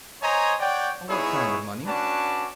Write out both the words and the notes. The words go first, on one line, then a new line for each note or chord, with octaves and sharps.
"What kind of money?"
C5 C#5 D#5 G#5 A#5
C#5 D5 F#5 G5
B3 D#4 E4 G#4 C#5
C#4 D4 F#4 B4 D5 A5